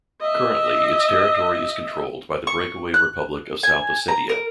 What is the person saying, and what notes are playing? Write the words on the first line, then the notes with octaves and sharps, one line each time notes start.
Currently, its territory is controlled by the breakaway Republic of South Ossetia.
D#5 E5
C#6
F#6
G#5
A#5
A#4